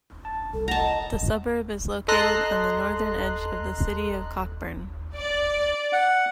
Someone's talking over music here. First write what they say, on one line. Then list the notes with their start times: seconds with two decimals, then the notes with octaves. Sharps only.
The suburb is located on the northern edge of the City of Cockburn.
0.25 A5
0.54 C2 A4
0.68 A#4 C#5 D#5 F#5 A5 A#5
2.08 A4 D#5 A#5 C6 F#6
5.16 D5
5.93 F#5